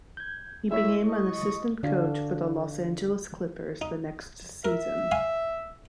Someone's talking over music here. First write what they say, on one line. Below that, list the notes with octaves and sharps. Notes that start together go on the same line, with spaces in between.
He became an assistant coach for the Los Angeles Clippers the next season.
G6 G#6
G#3 E4 C#5 E5
D#5 C#6
D3 D4 F#4 D5 F5
D#4
A#4 E5
F5 G#5 C6